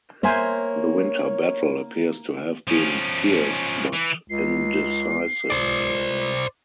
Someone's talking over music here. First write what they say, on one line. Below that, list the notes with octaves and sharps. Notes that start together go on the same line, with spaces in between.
The winter battle appears to have been fierce, but indecisive.
A#3 C5 C#5 E5 G#5
F3 C#4
E3
C#2 C7
C#2 C5 D5